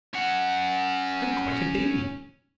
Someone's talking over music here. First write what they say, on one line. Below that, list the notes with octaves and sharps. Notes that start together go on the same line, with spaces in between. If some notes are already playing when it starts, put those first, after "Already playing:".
I'm quite a baby.
C#4 F#5